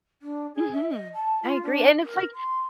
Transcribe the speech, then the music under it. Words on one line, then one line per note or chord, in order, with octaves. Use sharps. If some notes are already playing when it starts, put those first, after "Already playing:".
Mhm, I agree, and it's, like,
D4
G#4
E5
D#5
A5
F4
D4
A#4
C6